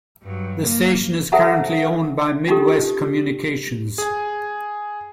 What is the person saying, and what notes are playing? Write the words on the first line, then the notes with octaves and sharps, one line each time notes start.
The station is currently owned by Midwest Communications.
G2 F#3
A#3
A4 C5 E5 F#5 A5 A#5
C#4 D#4 F4 G4 A4
G#4 G#5